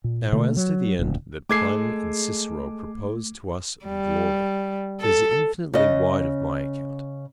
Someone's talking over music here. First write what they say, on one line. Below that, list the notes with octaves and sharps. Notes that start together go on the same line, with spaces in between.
Now, as to the end that Pliny and Cicero propose to us of glory, 'tis infinitely wide of my account.
A#2
B2 D3 A3 A#3
F#3
D#1 D2
G#3 A3 G#4 A4 D6 G#6 C7
G3
A4
C#3 D#5